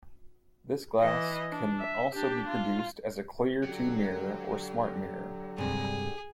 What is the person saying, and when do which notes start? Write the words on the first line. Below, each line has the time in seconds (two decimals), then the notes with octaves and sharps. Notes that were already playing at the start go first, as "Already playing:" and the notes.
This glass can also be produced as a clear to mirror, or smartmirror.
1.00 E3 D#5
1.51 D4
1.79 E5
2.15 D4 G4
2.49 F4
3.63 D3 F#3 G4
5.58 G2 C3 G#3 G#4